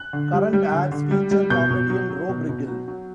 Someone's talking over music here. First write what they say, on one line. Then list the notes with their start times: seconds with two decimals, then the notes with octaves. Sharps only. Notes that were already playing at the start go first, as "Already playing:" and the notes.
Current ads feature comedian Rob Riggle.
Already playing: F#6
0.13 D3
0.33 G3
0.53 G3
0.72 D3
0.92 D3
1.11 G3
1.31 G3
1.50 B2 G6
1.71 B2
1.90 F#3
2.09 F#3
2.29 B2
2.49 B2
2.68 F#3
2.88 F#3